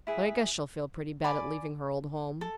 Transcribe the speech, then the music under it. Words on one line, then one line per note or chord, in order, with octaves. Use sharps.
But I guess she'll feel pretty bad at leaving her old home.
E4 G#4 B4
D5 G#5 B5 D6
A4